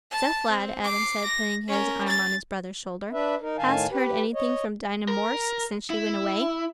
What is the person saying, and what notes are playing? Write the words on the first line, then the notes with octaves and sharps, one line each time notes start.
"Seth, lad," Adam said, putting his arm on his brother's shoulder, "hast heard anything from Dinah Morris since she went away?"
A5 A6
C4
D6 C7
A#6
C#4 A#4
A6
D4 B4 E5
D#4 A#4
A2 D#3 F5 G#5 A5
G4 B4
C#5 D#5
A#4
E4